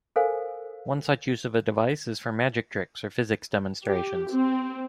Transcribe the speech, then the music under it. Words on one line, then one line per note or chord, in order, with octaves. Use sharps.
One use of such a device is for magic tricks or physics demonstrations.
A4 A#4 C5 F5 G#5
G4
C4